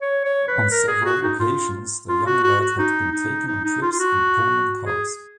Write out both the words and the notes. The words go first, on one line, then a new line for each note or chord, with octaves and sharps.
On several occasions the young lad had been taken on trips in Pullman cars.
C#5
C#5
B4
A#4
G#4
F#4
D#4
F4
F4
F#4
F#4
F#4
D#4
D#4
D#4
D#4
F4
F4
F#4
G#4